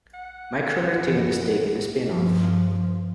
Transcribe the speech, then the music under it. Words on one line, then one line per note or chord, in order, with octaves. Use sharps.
Micron retained a stake in the spinoff.
F#5
F#2 E3 F3
G2 F3